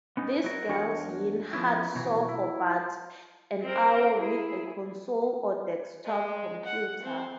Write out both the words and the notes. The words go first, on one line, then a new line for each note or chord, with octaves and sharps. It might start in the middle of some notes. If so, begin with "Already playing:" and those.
These girls yearn heartsore for but an hour with a console or desktop computer.
B3 C#4 D#4
F#3 A#4
E2 D4 F#4 A#4 C#5 F#5
F3 B3 C#4 E4
B2 E3 F#3
E4
C4 A#4
E4 G#4
G#3
F#5
C4